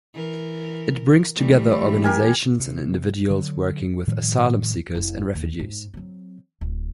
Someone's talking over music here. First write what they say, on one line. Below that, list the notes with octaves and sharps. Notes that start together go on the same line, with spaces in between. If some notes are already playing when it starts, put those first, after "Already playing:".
It brings together organisations and individuals working with asylum seekers and refugees.
E3 A#4
E3 G3 A3
E4
G4 A#4 G#5
C3
D3 F#3
A2 D#3 F3 G3
F1 E4
D#2
G#2
F#3 C4
D1